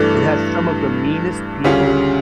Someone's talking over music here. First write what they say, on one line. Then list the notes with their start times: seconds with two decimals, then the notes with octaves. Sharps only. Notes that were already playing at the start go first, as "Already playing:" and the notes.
It has some of the meanest people,
Already playing: G2 E3 A3 D4 A4
1.64 D2 C#3 G3 C#4 F4